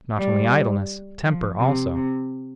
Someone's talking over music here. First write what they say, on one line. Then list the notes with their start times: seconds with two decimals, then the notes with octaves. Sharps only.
Not only idleness, temper also.
0.17 G3
1.24 F3
1.59 C3
1.95 C3